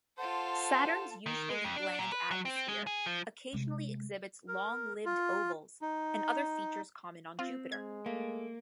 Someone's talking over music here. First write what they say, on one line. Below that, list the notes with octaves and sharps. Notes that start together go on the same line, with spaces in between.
Saturn's usually bland atmosphere occasionally exhibits long-lived ovals and other features common on Jupiter.
F4 A4 C5 F#5 A5
D#3
G#3
F2
D4
A#2
B4
F#3
C4
G#3
G#4
F3
C3 G#3
A#4
F4
D#4
C4 F4
G#3 G#6
A3 A#3